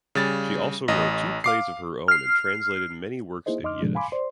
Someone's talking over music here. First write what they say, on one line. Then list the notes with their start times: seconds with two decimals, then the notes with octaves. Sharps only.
She also wrote two plays of her own and translated many works in Yiddish.
0.15 C#3 G3 A6
0.88 A1 D#5
1.44 F5 D6 C7
2.08 F6 C7
3.46 A#3 D#4 E4 G#4 C5 D#5
3.63 F2 D#4 D#5 C6 D6 F6
3.82 A2 C3 D#3 F3 G#3 D4
3.95 F5 G#5 B5 C6 D6
4.12 C5 D5 C6